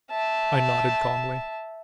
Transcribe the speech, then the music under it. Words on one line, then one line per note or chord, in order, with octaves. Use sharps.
I nodded calmly.
E5 A5